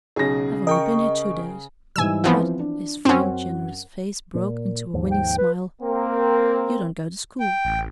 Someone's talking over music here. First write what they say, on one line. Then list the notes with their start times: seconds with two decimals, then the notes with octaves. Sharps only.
I've only been here two days. But"--his frank, generous face broke into a winning smile--"you don't go to school.
0.16 B1 C#3 G#4 A#6
0.67 A#4 D#5 G5 C#6
1.96 G#2 E3 G3 G#5 E6
2.24 E3 F3 B3 C4
2.59 D4
3.05 F#2 C4 C#4 F#5
4.35 A#2
4.94 D#2 G#2 F3
5.11 G5
5.38 B4
5.82 A#3 C4 A#4
7.40 G5
7.65 A1